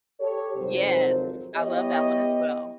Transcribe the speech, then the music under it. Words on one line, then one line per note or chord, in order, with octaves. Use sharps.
Yes, I love that one as well.
G4 A4 C#5
G#1 F2 C3 D#3 F#3 C5
B3 E4 G4 C#5 D#5